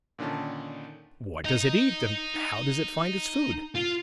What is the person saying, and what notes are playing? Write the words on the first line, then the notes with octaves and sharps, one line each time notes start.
What does it eat, and how does it find its food?
A#2 D3 D#3 C#4 A5
D#4 D#5
F4